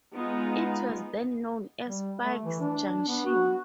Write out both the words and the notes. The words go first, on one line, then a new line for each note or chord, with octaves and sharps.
It was then known as Pike's Junction.
G#3 B3 D#4 F4
G3
A3
E3
D4
B3
F#4